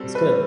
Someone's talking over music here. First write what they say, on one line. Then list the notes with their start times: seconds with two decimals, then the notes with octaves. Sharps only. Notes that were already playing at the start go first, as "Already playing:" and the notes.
That's good.
Already playing: G3 C4 F#4 A4
0.15 B4